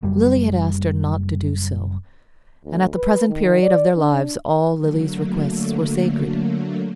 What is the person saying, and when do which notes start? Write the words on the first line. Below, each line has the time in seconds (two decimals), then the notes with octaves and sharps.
Lily had asked her not to do so, and at the present period of their lives all Lily's requests were sacred.
0.03 F#1 F#2 G3
2.65 D2
2.96 B4
3.29 D#3
3.63 D5
3.96 D4
4.74 D3 F#3 A3 A#3